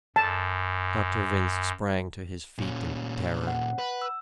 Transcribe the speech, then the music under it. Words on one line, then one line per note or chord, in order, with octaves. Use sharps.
Dr. Vince sprang to his feet in terror.
F#2 A5
A#2 C#4
F#5
B4
E6